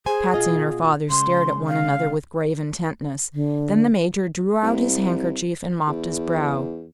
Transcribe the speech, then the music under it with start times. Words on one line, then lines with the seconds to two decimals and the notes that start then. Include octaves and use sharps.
Patsy and her father stared at one another with grave intentness. Then the Major drew out his handkerchief and mopped his brow.
0.06 G#4 C5 G#5
0.34 B2 F4 D#5
1.10 C#3 G#3 C6
1.68 F5
3.33 D3
4.62 C2
5.88 E2